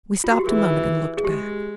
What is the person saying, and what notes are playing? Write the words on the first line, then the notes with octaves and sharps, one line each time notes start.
We stopped a moment and looked back.
F4
F#4
G4
E3 G#4
G#4
G#3 G4